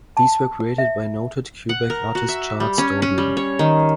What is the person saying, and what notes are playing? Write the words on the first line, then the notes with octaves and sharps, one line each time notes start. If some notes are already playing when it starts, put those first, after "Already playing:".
These were created by noted Quebec artist Charles Daudelin.
A5
E5
F#5
A#4
F#4
E5
G3
C#4
C#4
G3
C#5
D#3